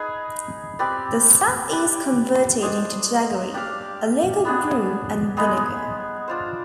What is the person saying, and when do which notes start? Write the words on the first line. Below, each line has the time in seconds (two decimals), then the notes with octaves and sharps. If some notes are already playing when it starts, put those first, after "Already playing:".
The sap is converted into jaggery, a local brew and vinegar.
Already playing: D#4 G#4 B4
0.79 C4 G4 B4 D5
1.70 D4 G4 B4
2.62 D4 G#4 C5 D#5
3.54 D4 G4 D5 F5
4.45 B3 D4 G#4
5.37 G#3 B3 D#4 G#4
6.28 D4 F4 C5